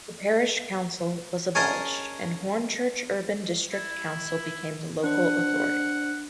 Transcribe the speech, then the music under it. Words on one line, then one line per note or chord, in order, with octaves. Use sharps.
The parish council was abolished and Hornchurch Urban District Council became the local authority.
C#4 G#4 A#4 D#5 A5 A#5
E4
D4 C5 F#5